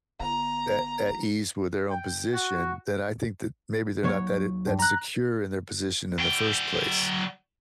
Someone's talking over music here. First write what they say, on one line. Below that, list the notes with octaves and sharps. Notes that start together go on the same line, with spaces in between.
at at ease with their own position, then I think that maybe they're not that it that secure in their position in the first place.
G1 A#5
G5
F#4
D#2 F#3 C#5
G2
A#5 F#6
F#3 G5